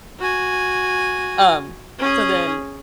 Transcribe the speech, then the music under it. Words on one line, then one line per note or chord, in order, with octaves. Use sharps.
Um, so, then,
F#4 G#5
C#4 G#4